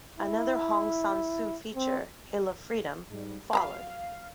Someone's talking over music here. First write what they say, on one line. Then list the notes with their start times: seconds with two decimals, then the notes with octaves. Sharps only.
Another Hong Sang-soo feature, "Hill of Freedom", followed.
0.19 E4
1.75 C4
3.10 G#2 G3
3.53 F#3 F5 A#5 B5